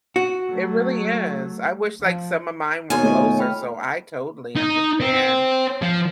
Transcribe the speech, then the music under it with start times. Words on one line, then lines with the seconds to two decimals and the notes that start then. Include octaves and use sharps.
it really is. I wish, like, some of mine were closer, so I totally understand.
0.16 F#4
0.49 F#3 A3
2.01 F3
2.90 D#2 B2 B3 F#4 C#5 G#5
3.03 A3 F4 C#5 D#5
3.38 G5 B5 F6
4.56 D#4
5.01 C4
5.82 F3